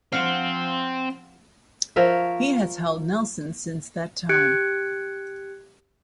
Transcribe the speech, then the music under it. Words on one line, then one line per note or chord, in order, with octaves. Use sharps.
He has held Nelson since that time.
F3 C4 F5 F#5
F3 A#4 C#5 E5
G4 F#6 G#6 C#7 D7